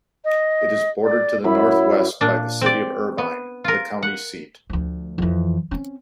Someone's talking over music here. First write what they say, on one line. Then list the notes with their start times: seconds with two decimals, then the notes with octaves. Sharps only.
It is bordered to the northwest by the city of Irvine, the county seat.
0.25 D#5
1.03 D5
1.44 F#2 E4 B5
2.21 A#2 D4
2.61 C4 D5
3.18 B3
3.64 F4 A#4
4.03 F#5
4.70 D2 F3
5.18 F2 E3
5.71 C4 C#4